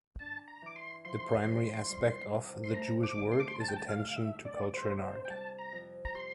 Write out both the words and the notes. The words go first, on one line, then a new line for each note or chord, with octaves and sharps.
The primary aspect of "The Jewish Word" is attention to culture and art.
D4 A5
A#5
E3 D6
C6
F3 C6
F2
G3
C3
C6
A3 A#5
D6
D3
C6
D6
C6
G3 A5
G5
A5
F5
A2
F5
E5
D4 D5
C5
C3
C5
G5
G3 A5
A#5
F2
A#5
G4 C6